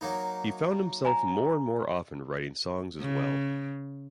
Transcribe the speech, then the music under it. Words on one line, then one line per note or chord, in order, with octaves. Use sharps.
He found himself more and more often writing songs as well.
F#3 A#3 D#4
G#5 A#5
C#3